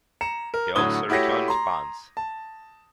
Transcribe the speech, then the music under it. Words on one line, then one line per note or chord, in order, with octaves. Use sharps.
He also returned punts.
A#5 C#7 E7
A#4
A2 D3 F#3 D#6 G#6 G7
A3 E4 F#4 G4 C#5 A#6
A#5 C6
A5